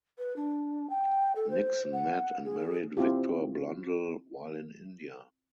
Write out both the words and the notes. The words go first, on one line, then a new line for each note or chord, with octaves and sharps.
Nixon met and married Victor Blundell while in India.
B4
D4
G5
A4
C5
F#5
G#4
C4 E4 F4 G4